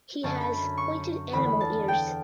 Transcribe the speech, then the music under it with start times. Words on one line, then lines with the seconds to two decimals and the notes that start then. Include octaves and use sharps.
He has "pointed animal ears".
0.23 F#2 D3 F#3 C#4 A5
0.41 B5
0.77 C#6
1.32 E2 D3 A3 B5
1.61 A5
1.88 G5